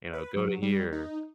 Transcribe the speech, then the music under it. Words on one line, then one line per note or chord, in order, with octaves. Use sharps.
you know, "go to here,"
B4
F#3
G3
D#4